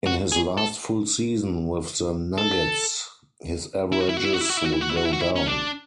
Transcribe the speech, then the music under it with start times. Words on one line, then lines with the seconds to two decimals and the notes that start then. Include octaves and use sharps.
In his last full season with the Nuggets his averages would go down.
0.06 F#4
0.32 G#4
0.58 A4
2.38 A4
3.92 E4
4.01 F#4
4.09 E4
4.17 F#4
4.24 E4
4.33 F#4
4.41 E4
4.50 F#4
4.57 E4
4.65 F#4
4.73 E4
4.81 F#4
4.89 E4
4.97 F#4
5.05 E4
5.13 F#4
5.21 E4
5.36 C#4
5.47 D4